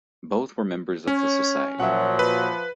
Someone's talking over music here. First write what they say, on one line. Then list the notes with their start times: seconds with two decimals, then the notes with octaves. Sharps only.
Both were members of the society.
1.07 C#4 C#5
1.80 A#2 F3 F#3 E5 F#5
2.19 B4